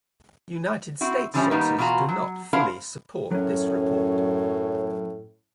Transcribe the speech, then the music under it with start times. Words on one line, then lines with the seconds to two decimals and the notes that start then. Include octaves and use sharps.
United States sources do not fully support this report.
1.01 C4 E4 F#4
1.34 D3 E3 F3 G3 C#4 E4
1.51 D#3 G3 A#3 B3 D#4
1.79 B2 E3 F4 F#4 A#5
2.09 F#3
2.53 D4 E4 A#4 C5 F5 F#5
3.31 F#2 A2 F#3 C#4 C#5